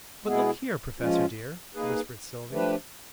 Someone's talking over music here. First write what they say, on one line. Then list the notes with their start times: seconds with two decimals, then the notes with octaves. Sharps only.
"But look here, Professor dear!" whispered Sylvie.
0.24 B2 G#3 B3 E4 G#4
1.00 F3 G#3 C#4 F4
1.75 A#3 D#4 G#4 B4
2.50 F3 A3 D4 G4 B4